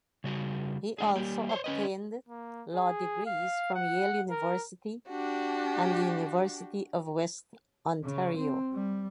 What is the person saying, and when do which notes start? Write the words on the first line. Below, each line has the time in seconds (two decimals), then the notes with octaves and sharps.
He also obtained law degrees from Yale University and the University of Western Ontario.
0.24 C#3 G3 F#4 G#4
0.98 G#3 D4 G#4
1.16 G3 A#3 G4
1.49 C5 C#5
1.64 C#4 B4 D#5
2.29 A#3
2.74 G#4
3.26 F5
3.75 F#5
4.30 A#4
5.08 D4 F#4 G4
8.03 C#3
8.37 C4
8.73 G3